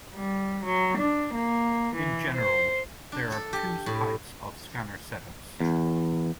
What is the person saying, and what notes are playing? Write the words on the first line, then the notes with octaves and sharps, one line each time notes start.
In general, there are two types of scanner setups.
G3
F#3
D4
A#3
E3
C5
D4
A4
G4
A2
E2